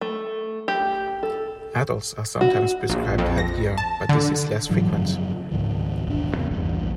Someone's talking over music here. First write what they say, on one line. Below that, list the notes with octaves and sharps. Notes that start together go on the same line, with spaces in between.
Adults are sometimes prescribed headgear but this is less frequent.
A3
G4
A4
F#4
A#1
F2
A#6
A5
D3
G#2 D3 E3 F#3
F#2 C#3 F3
C#2 G#2 D#3 F3
E1 A1 D4
E2 C#3 B3
A#1 E2 G2